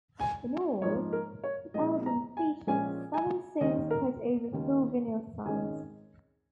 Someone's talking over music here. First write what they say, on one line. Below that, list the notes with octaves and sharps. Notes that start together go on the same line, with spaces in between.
In all, the album featured seven songs spread over four vinyl sides.
G#5
G#2 F3 A#3 D#4 C#5
A#4
C#5
A#1 A#2 F3 G#3 C#4 D#5
A#5
G#5
A#1 A#2 F3 G#3 C#4 G#5
G#5
D#2 D#3 C#4 D#5
A#4
D#2 D#3 C#4
G#1 G#2 D#3 G#3 C#4 G#5